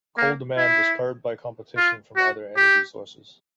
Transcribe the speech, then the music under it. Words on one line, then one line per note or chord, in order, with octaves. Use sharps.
Coal demand was curbed by competition from other energy sources.
A#3
E4
F4
F#4
G4